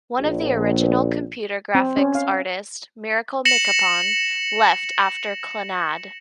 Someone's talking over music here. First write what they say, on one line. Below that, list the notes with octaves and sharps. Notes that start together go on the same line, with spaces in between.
One of the original computer graphics artists, Miracle Mikipon, left after "Clannad".
A#1
C4
C#4
F5
A#6 C#7 E7 F#7